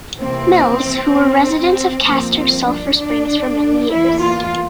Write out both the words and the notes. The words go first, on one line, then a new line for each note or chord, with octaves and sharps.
Mills, who were residents of Castor Sulfur Springs for many years.
C3 E3 A#3 C4
G2 F3 A#3 C4
C4
D4
D4
E2 E3 A#3 E4
F4